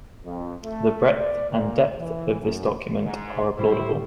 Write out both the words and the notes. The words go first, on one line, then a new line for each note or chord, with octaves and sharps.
The breadth and depth of this document are applaudable.
F2
A3
D5
A#2
E3
F#2
G#2
A2 G3 E4 C5